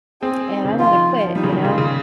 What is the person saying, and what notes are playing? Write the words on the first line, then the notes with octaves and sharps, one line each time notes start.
and I wanna quit, you know?"
C4 G#4
D#4
C4
C#3
D#3
F3 F4
F3
G3 D#4
C#3
D#3
C#3 F4
C#3